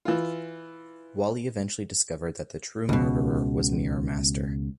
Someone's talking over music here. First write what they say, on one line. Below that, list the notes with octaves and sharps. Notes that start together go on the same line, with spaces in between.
Wally eventually discovered that the true murderer was Mirror Master.
E3 F4
C#2 B2